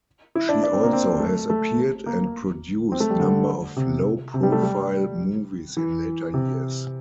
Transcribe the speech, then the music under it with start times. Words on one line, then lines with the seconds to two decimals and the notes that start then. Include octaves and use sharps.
She also has appeared and produced number of low-profile movies in later years.
0.35 E4
0.49 D4
0.63 D4
0.73 C4
0.83 A#3
0.93 C4
1.20 A3
1.50 A3
2.06 A#3
2.92 C4
3.00 A3
3.10 G3
3.20 D3
3.76 C3
4.34 C3
4.43 G3
4.52 A3
4.62 G3
5.77 E3
6.34 C3